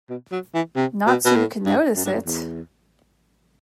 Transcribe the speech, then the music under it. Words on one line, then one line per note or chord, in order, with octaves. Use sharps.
Not so you could notice it!
B2
F#3
E3
C3
B2
B2
A2
G2
F#2
G2
F#2
E2